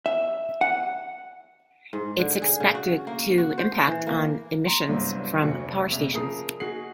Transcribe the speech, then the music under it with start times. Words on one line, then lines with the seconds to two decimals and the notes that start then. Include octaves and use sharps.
It is expected to impact on emissions from power stations.
0.06 E5
0.61 F#5
1.93 G#2
2.19 D3
2.42 G#4
2.60 C#3
2.75 F#4
3.07 A#3
3.38 F#4
3.58 C5
3.87 E3
4.07 A#3
4.65 A#5 C6
4.88 G1 C2 F#3 D4 C5
5.42 F1 D2 F#4 D5 C#7
5.90 E1 C3 E5 F7
6.14 C#3 F3 A#4 D#6 C7
6.60 D#4 F#4 G#4 C7 F#7